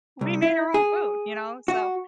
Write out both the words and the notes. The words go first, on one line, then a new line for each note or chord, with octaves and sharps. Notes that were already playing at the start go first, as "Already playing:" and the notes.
we we made our own food, you know, so
C2
E4
G#4
F#4